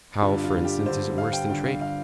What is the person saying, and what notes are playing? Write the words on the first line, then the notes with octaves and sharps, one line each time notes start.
How, for instance, is it worse than trade?
G2 D3 F4
F4
G4
G2 D3 C5
F5
G5
G2 D3 G5
F5
F5